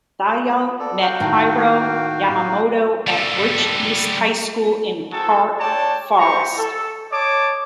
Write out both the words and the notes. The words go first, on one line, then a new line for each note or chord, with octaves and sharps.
Thayil met Hiro Yamamoto at Rich East High School in Park Forest.
A4 D5
F#4 F5 G5
A2 D#3
G3 A4
C4 F#4 G#4 A4
D4 C#5 D5 G5 A5
G4 C5 A#5 C#6
A4
C#5 D#5 A5 D6